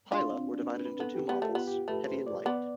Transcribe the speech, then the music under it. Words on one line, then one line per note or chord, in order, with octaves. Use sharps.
Pila were divided into two models: heavy and light.
D4 F4
C4
D4
B4
B4
B3 A4
G4
B3 G4
A3
F4
B3
G4
A3 B4
C5
D5
B3 D5